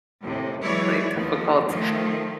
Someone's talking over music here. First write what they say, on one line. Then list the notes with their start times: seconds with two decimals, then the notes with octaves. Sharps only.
really difficult.
0.23 D#2 A2 C3
0.62 E3 F#3 G#3 E4 C#5 D5
1.14 D#2 F3 B3
1.68 D#3 F3 A3